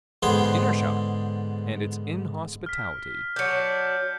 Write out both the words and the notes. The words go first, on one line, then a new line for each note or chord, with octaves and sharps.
Inertia and its inhospitality.
G#2 D3 B3 G#4 C5 G5
F6 B6
F#3 D4 G6 C#7